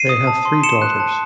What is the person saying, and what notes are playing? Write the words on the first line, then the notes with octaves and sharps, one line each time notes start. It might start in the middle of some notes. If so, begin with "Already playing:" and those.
They have three daughters.
Already playing: C7 D#7
D#6
A5
C6
C6 C#7 E7
F#6
A5